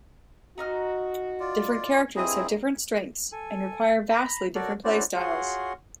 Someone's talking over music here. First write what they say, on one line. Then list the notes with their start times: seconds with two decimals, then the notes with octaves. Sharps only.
Different characters have different strengths and require vastly different playstyles.
0.58 D#4 F#4 D#5 F6
1.40 F4 D5
2.16 G2 A#3 C4 E4 G#4 D#5
3.32 A4 G#5
4.09 A#5 B5
4.55 F#4 A4 A#4 C#5 D5
4.84 C#4 D4 E4 F#4 C5 D5
5.16 F4 F#4 G#4 C#5 F#5 C6